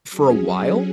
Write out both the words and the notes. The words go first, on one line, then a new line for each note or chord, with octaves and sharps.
for a while
F#3 C#4 G#4